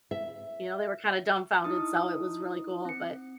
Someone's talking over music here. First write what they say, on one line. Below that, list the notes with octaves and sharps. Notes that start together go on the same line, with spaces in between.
You know, they were kinda dumbfounded, so, it was really cool. But
E5
D#4 E4 D#6
C4 C#7